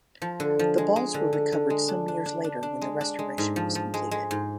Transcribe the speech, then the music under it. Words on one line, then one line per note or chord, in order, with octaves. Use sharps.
The balls were recovered some years later when the restoration was completed.
F3
D3
F3
G#3
G#3
D3
D3
D3
G#3
D4
D4
D4
D4
D4
G#3
D4
G#3
G#2
F3
F3
G#3
G#3
G#2